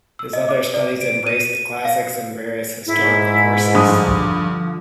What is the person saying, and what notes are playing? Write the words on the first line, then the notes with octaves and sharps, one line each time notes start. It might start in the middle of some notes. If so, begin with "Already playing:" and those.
His other studies embraced the Classics and various historical courses.
E6
D#5
D6
D5
D7
D#7
F5
G#2 E4
G2 D3 F3 D6 D#6